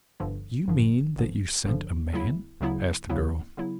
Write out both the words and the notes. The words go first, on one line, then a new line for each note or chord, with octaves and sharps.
"You mean that you scent a man?" asked the girl.
G1 G2 D3 F3
G1 G2 D3 F3
G1 G2 D3 F3
G1 G2 D3 F3
D2 C#3 F#3 B3 E4
D2 C#3 F#3 B3 E4
D2 C#3 F#3 B3 E4
C#3 F#3 B3 E4